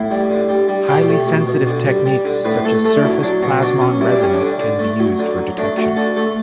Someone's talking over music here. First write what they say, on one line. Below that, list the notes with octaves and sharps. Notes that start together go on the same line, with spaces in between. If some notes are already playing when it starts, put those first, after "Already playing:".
Highly sensitive techniques such as surface plasmon resonance can be used for detection.
Already playing: A2 E4
G3
D3
G3
G3
B2 G4
A3
B2
B2
D3
G3
G3
D3
A2 B4
A3 A4
A3 A4
D4
F#3 E4
F#3 D4
B2 F#4
F#3 D4
F#3 C#4
G3 E4
D4
G3 C#4
D4
D3
D3
A3
F#3
D3
F#3
A3 D4
A3 F#4
D3 A4
A3 A4